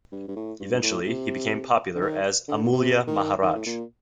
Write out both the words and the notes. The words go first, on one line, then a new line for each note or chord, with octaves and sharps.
Eventually, he became popular as Amulya Maharaj.
G2
G2
A2
G2
G2
A2
C3
D3
D#3
D3
A#2
C3
D#3
D#3
A2
A#2